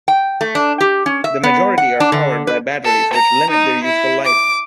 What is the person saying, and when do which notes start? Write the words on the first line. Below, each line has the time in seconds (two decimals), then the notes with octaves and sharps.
The majority are powered by batteries which limit their useful life.
0.08 G5
0.41 A3
0.55 D4
0.81 G4
1.06 C#4
1.24 E5
1.43 B3
1.78 F#5
2.00 D4
2.12 D3
2.47 B4
2.85 A4
3.15 A#5
3.50 D#4
3.85 E4
4.24 D6